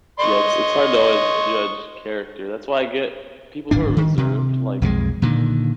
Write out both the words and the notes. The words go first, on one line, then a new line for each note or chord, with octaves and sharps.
Yeah, it's it's hard to always judge character, that's why I get people who are reserved, like,
D#5 C6 C#6
D1 G#1 D4
D#3
C3
B1 F2 E3 G#3
A#2 D3 D#3